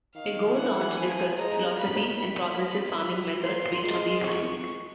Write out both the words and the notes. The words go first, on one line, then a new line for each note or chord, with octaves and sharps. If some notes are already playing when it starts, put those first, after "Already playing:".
It goes on to discuss philosophies and progressive farming methods based on these findings.
D#3 F5
E3 F#5
F3 G#5
G#3 A#5
B5
B5
A#3 C6
G#3
C#6